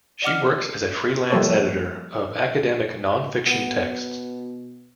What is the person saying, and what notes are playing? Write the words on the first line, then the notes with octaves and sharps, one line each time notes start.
She works as a freelance editor of academic non-fiction texts.
D5 D#5 F#5 D6 F6
F3 G3 A#3 A4 C5 C#5
B2 B3